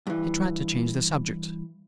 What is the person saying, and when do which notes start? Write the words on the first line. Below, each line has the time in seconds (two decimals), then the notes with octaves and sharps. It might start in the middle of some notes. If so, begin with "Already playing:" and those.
He tried to change the subject.
0.07 G2 E3